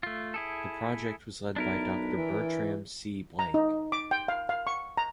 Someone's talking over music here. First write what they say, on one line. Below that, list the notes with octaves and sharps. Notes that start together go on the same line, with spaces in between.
The project was led by Doctor Bertram C. Blanke.
A3 F4
E4 G#4 A4
B1 D4 E4 A#4
E3
A#5
D#4
D6
G5
F5
F5
C#6
A#5